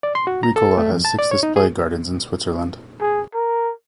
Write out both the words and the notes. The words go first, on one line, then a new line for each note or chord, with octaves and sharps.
Ricola has six display gardens in Switzerland.
D5
C6
F#4
A#5
A4
A3
F2
A5
D5
C#5
D#4
G#4
G#4
A#4